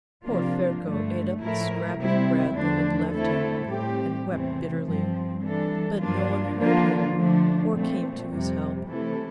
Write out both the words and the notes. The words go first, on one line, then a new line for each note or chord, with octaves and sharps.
Poor Ferko ate up the scrap of bread they had left him and wept bitterly, but no one heard him or came to his help.
C3 F3 A#3 D4 F4
G2 D3 A3
A2 F3 A3 E4 A#4
C3 G3 C4 E4
E2 D3 F3 A3 D4
D3 A3 C4 E4 A4
A2 G3 C4 G4
E2 C3 E3 A3 C4
G2 F3 C4
E3 G3 D4 A4
G2 F3 A#3 D4 F4
D3 F3 A#3 D4 F4
D3 F3 A3 D4
A#2 A3 C4
F2 C3 G3
C3 E3 A3 E4 A4